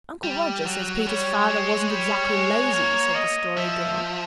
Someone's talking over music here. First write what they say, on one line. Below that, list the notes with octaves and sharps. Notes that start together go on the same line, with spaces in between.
"Uncle Roger says Peter's father wasn't exactly lazy," said the Story Girl.
G3
F#3
G3 C#5
G#3
G3
G#3
A#3
D#5
F3 E5